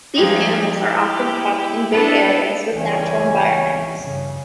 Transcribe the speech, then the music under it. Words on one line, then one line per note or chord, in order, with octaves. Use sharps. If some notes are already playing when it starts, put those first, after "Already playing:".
These animals are often kept in big areas with natural environments.
F3 G3 G#3 D#4 G4
E4 G4
B3 D4 E4 A4 B4 A5
C#2 E3 G3 C#4 G#5
G2 C#3